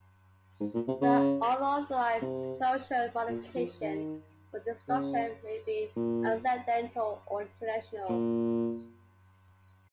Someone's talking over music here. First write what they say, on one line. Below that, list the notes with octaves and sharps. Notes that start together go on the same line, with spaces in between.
The unauthorized disclosure, modification, or destruction may be accidental or intentional.
G#2
A#2
C3
C#3
C3
A#2
F3
D#3
C#3
A#2
A#2